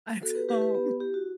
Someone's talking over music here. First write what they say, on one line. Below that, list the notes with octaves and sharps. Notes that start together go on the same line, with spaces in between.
I don't
B3 F#4 A4
G4 B4
E4 G4 B4
G4 B4
B3 G4 B4
E4 G4
F#4